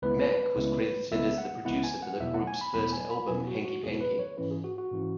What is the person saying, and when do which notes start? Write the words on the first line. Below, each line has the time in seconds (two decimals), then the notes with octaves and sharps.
Mack was credited as the producer for the group's first album, "Hanky Panky".
0.02 C#2 C#3 G#3 B3 E4 B4
0.56 C#2 C#3 G#3 B3 E4
1.11 C#2 C#3 G#3 B3 E4 E5
1.38 F#5
1.65 C#2 C#3 G#3 B3 E4 F#5
1.84 G#5
2.03 F#5
2.20 E2 B2 F#3 B3 E4 E5
2.34 F#5
2.47 G#5
2.61 B5
2.74 E2 B2 F#3 B3 E4 B5
2.93 G#5
3.11 B5
3.28 E2 B2 F#3 B3 E4 G#5
3.47 F#4
3.65 F#4
3.83 E2 B2 F#3 B3 E4 G#4
4.01 B4
4.19 C#5
4.37 G#2 E3 C#4 E4 B4
4.51 G#4
4.64 F#4
4.78 F#4
4.91 G#2 E3 C#4 E4